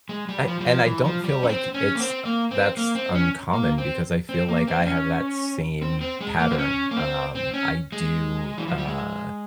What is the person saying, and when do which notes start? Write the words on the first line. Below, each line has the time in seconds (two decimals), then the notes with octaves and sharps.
I and I don't feel like i it's that's uncommon because I feel like I have that same pattern. Um, I do, uh,
0.09 G#3
0.29 G3
0.47 F3
0.60 G3
0.66 F3
0.85 E3
1.04 F3
1.24 G3
1.43 C#4
1.49 C4
1.74 C#4
1.95 A#3
2.00 C4
2.25 A#3
2.51 C4
2.77 A#3
2.95 C4
3.15 C#4
3.53 A#3
3.78 C4
4.29 C4
4.49 A#3
4.67 C4
4.82 C4
4.86 C#4
5.82 C4
6.01 C4
6.21 G#3
6.39 A#3
6.51 C4
6.59 C#4
6.91 A#3
6.97 C4
7.35 C4
7.54 C#4
7.92 G#3
8.58 E3
8.68 F3
8.78 G3
8.88 G#3